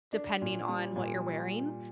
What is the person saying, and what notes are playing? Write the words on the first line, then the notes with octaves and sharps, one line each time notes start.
depending on what you're wearing,
D4
A#2
G3
A#2